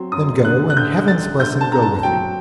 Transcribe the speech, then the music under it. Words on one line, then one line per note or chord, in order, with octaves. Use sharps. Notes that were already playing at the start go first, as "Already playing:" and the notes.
Then go, and Heaven's blessing go with you.'
Already playing: F#3 C4
F#2 D#6
D3 F#6
F#6
D3 G6
D3 A6
D3 G6
A5
C4 A#5
A5
F#3 G5